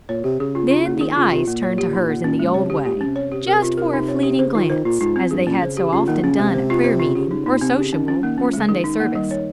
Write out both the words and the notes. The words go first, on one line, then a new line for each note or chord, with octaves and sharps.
Then the eyes turned to hers in the old way, just for a fleeting glance, as they had so often done at prayer-meeting, or sociable, or Sunday service.
A#2 C#5
C3 G4
C#3 G#4
F4
F4
A#3
C#3
D#3 G#4
C#3 F4
C3 F4
A#2 A#3
C#5
G4
D#4
A#3
A#2 C#4
G#3
C3 C#5
C#3 G4
A#2 G4
G#2
C#4
C3
C#5
G4
C3 A#4
F4
A#4
D#4
C#5
G4
C#3 C5
D#3 F4
D#3 C5
A#2 F4
G#2 F4
C4
G2 G#4
A#2 C#4
C#3 C5
G4
C#3 F4
D#3 A#3
C#3 C#4
C3 G#3
C5
F4
C5
F4
C#3 G4
C#3 D#4
A#2 D#4
C3 C4
C#3 G4
D#3 C#4
F3 C#4
D#3 A#3
F3 C#4
C#3 G#3
D#3 G#4
D#3 D#4
D#3 A#3
G3
C#5